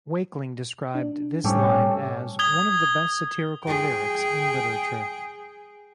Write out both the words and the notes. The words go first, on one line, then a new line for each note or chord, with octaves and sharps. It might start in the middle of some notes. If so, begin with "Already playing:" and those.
Wakeling described this line as "one of the best satirical lyrics in literature".
D4
A2 G3 C#4 G4 A4
D#6 G#6 G7
G#4 G5